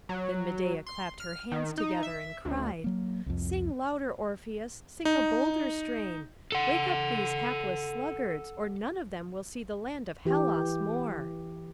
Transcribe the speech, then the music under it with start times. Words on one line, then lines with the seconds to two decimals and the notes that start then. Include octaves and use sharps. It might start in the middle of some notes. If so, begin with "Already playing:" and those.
Then Medeia clapped her hands together, and cried, "Sing louder, Orpheus, sing a bolder strain; wake up these hapless sluggards, or none of them will see the land of Hellas more."
0.09 F#3
0.86 C6
1.20 F6
1.52 D#3
1.77 D#4
2.03 E5
2.45 D2
2.84 F#3 A#3
3.26 C2 F2
5.05 D#4
6.52 A4 F#5
10.25 E3 G4